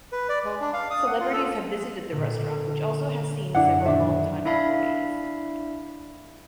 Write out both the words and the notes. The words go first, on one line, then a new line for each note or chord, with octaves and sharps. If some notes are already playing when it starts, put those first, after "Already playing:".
Celebrities have visited the restaurant which has also seen several longtime employees.
B4
D5
G#3
D4
F5
D#6
F#5
F4
A4
A#2 D3
F#2 D4 E4 F#5
D#1 D4 E5
D4 E4 D5 E5 F5 B5